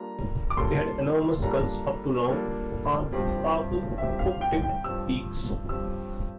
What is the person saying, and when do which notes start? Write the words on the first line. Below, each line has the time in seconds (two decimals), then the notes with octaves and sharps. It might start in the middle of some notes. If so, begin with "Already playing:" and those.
They had enormous skulls up to long, armed with powerful, hook-tipped beaks.
Already playing: G3 A#3 D4 F4 A4 A#5
0.50 D6
0.57 G3 A#3 D4 F4 A4 C6
1.42 G3 A#3 D4 F4 A4 A#5
2.27 G3 A#3 D4 F4 A4
3.12 G2 F3 C4 G4
3.98 G2 F3 C4 G4 E5
4.19 F5
4.41 G5
4.62 G5
4.84 G2 F3 C4 G4 E6
5.69 G2 F3 C4 G4 E6